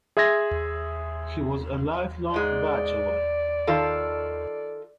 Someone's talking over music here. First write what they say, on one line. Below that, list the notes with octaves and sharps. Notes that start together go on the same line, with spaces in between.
He was a lifelong bachelor.
G#4 E5 C6 G#6 A#6
G#2 G#3 D5
D#3 F4 A4